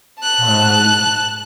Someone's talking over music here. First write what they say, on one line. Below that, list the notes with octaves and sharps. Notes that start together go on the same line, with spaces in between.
Uh, you
A5 F#6